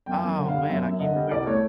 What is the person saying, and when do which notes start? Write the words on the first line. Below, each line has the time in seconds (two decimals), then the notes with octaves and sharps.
Oh, man. I can't remember
0.06 F#2 G5
0.23 F#2
0.38 D3
0.48 F5
0.54 G3
0.69 F#2 E5
0.84 F#2
1.00 D3 D#5
1.16 G3
1.31 C2 D5
1.47 A3 C#5